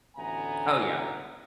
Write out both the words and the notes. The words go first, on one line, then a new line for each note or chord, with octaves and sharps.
oh yeah.
A1 D2 B3 E5 G#5 A#5